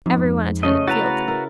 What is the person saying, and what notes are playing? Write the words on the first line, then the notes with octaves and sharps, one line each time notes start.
Everyone attended Field Day.
F2 G#2
C#3 A3 D#5
E4 F#4 B4 A#5 A6
E4 A#4